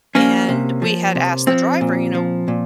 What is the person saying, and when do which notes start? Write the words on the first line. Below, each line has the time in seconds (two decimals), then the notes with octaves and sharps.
and we had asked the driver, you know,
0.15 F3 A#3 C#4
0.49 C3
0.82 F3
1.15 C3
1.47 F3 C4
1.81 A#2
2.15 F3
2.48 A#2